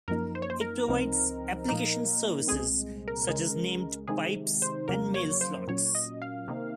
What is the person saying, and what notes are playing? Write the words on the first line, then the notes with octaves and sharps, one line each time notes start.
It provides application services such as named pipes and MailSlots.
F#2 F3 A#3 D#4 A#4
C5
C#5
C5
A#4
C#2 C3 F3 C4 D#4
A#2 F3 A#3 D#4
C2 A#2 G#3 C4 G#4
A#4
C#2 C#3 G#3 C#4
C3 D#3 G#3 D#4 G#4
C5
F2 C#3 F#3 A#3 A#4
C#5
C5
A#2 F#3 C#4 C#5
D#5
F5
C3 D#3 A#3 D#4